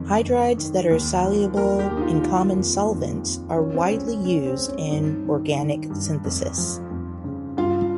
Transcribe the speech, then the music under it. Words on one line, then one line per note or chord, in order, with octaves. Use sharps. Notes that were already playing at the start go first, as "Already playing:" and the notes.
Hydrides that are soluble in common solvents are widely used in organic synthesis.
Already playing: F2 D#3
F2
D#3
D#2
F3
D#2 A#4
G4
D#2
D#4
F4
D#3 F4
F2
F2
F2
F3 C#4
C4
C#2 C#4
C#4
C#3 C#4
C4
C#2
C#4
G2 D#4
D#3
D#3
G2
F2
F3
F2
C#3
G2 F4